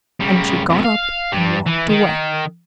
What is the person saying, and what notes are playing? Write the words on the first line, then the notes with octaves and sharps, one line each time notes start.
And she got up, and walked away.
C#3 G3
F2 B2
F5
G2 G3
E3
D#3